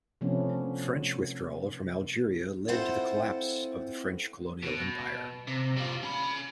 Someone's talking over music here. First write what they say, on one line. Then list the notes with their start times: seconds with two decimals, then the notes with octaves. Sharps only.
French withdrawal from Algeria led to the collapse of the French colonial empire.
0.21 C3 F3 A3 B3 C#4 D4
2.68 C4 E4 F4 A4 C5 F#5
4.63 B2
5.47 C3
5.76 G3 F4
6.03 C#4 B5